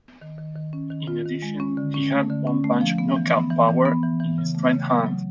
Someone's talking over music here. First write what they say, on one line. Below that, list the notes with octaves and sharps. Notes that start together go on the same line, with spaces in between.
In addition he had one-punch knockout power in his right hand.
D#3
D#3
D#3
C#4
D#3
F4
D#3
G#3
C#4
D3
C#4
A3
D3
C#4
A3
F3
B3
E3
B3
E3
E3
B3
E3
E3
C#3
A3
C#3
F#3
F#3